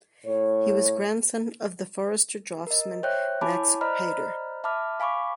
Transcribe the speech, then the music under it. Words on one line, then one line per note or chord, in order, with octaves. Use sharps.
He was grandson of the forester draughtsman Max Haider.
A2 C#5
A#4 D#5
C5 C#5 E5 G5 F#6
E4 C#5 G#5 A5 B5 D6
C5 D5 D#5 A#5 B5 F6
E5 A5 B5 D6 F6
F5 G#5 B5 C#6 D6